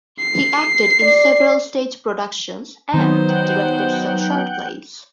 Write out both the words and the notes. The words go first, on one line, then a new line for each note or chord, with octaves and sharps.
He acted in several stage productions and directed some short plays.
C7
D5
D#3 F#3 B3 C4 D#4 C5
F#5 G5